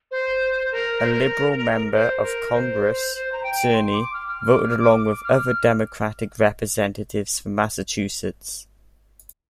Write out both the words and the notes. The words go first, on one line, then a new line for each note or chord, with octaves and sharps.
A liberal member of Congress, Tierney voted along with other Democratic Representatives from Massachusetts.
C5
A#4
C5
A#4
C5
A#4
C5
C5
A#5
G5
C6
D6
F6
F6
D6
F6
D6
D6
F6